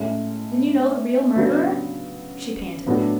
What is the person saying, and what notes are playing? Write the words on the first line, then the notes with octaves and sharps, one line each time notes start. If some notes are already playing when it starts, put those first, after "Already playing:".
"Then you know the real murderer?" she panted.
Already playing: A2 G#3 C#4 E4
C#3 F#3 B3 D4 F#4
A2 F#3 B3 D4 F#4